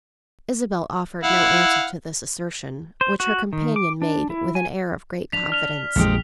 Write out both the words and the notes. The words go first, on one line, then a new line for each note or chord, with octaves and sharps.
Isabel offered no answer to this assertion, which her companion made with an air of great confidence.
E4 F5 F#5
C5
F#4
D#3
D6
D4
E4
G#5
D4 B6 F7
F6 F7
A#1 F2 G#3 G4